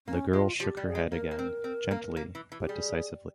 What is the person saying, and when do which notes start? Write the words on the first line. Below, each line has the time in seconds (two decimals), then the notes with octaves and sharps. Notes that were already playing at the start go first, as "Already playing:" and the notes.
The girl shook her head again, gently but decisively.
0.07 A#3 C#4
0.33 G#3 F4
0.60 F3 G4
0.77 G3
0.87 G#4
0.95 G#3
1.12 A#3 A#4
1.31 A#3
1.39 C4
1.64 C4
1.91 A#3
2.17 A#3
2.35 E3
2.52 E3
2.60 G4
2.69 G3 G#4